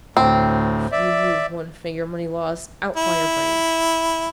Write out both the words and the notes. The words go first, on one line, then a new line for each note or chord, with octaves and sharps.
If you move one finger, Moneylaws, out fly your brains!
D2 A2 C4
D5 E5
E4